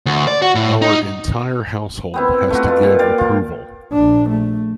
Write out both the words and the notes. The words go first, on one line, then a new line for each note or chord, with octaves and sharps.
Our entire household has to give approval.
D2
D5
F#4
A2
D#4
B3 C4 E4
A3 F4 F#4
B2 F4
A#2
G4 D5 F5
F4
A#1 D4
A3